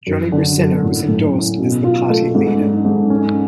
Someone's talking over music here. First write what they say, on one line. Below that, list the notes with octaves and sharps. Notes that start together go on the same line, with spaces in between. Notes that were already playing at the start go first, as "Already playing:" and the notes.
Johnny Briceno was endorsed as the Party Leader.
F#2
D3
F#2
A2
A2
C#4
B2
F4
A3
G#2
D4
G#2
C#4